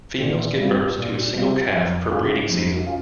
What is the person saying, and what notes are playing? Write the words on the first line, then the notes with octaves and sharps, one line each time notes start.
Females give birth to a single calf per breeding season.
A#2
G3 C4 F4
A#2
G3 C4 F4
F2
C#3 G#3 C#4 F4
F2
C#4 F4